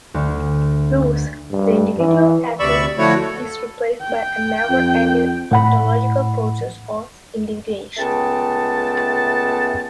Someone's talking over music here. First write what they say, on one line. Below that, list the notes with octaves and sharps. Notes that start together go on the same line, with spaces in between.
Thus, the individual atom is replaced by a never-ending ontological process of individuation.
D2
G2
E3
D2 C3 D5 B5 C#6 E6
D3 F3 A3 E4 F#4 C#5
A4
G5
F2
A2 F#5 B5
C#2 A3 B3 G5 A5